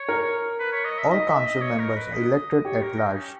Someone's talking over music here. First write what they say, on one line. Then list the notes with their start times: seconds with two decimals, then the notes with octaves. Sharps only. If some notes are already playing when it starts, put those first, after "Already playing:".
All council members are elected at-large.
Already playing: C#5
0.09 A#4
0.60 B4
0.73 C#5
0.85 D#5
0.98 E5
1.11 D#4 D#5
1.28 E5
1.45 D#5
1.62 C#5
1.79 A#4
1.96 B4
2.13 D#5
2.65 G4 C#5
2.82 A#4
2.99 D#4
3.16 C#4